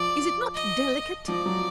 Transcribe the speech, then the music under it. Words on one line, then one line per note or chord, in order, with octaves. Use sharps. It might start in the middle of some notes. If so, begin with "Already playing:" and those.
Is it not delicate?
Already playing: F3 D5
D#5
F3 D5
F#3